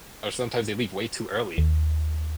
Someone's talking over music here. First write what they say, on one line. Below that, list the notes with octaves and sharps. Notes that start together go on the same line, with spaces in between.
or sometimes they leave way too early.
D#2